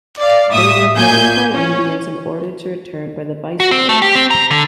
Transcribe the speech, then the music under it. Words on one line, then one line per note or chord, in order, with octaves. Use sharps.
They were threatened by Indians and ordered to return by the viceroy.
D5 F5
A2 E5 D#6
A#2 G#5 G6
C#4
F#4
C4
A3
G4
C4
A#5
D3